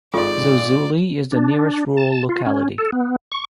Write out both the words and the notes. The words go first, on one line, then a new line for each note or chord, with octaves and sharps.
Zozuli is the nearest rural locality.
G#1 G#2 F4 A4 D5 C#6
D4
A5
F4
C#4
A4
B3
C#6